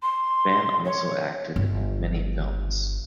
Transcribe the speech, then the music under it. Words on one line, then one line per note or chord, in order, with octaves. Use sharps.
Fan also acted in many films.
C6
C#5
G1